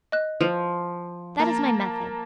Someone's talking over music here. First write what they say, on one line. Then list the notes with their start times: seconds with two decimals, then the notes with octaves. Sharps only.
That is my method.
0.12 D#5 F#6
0.41 F3
1.40 A#3 A5 A#5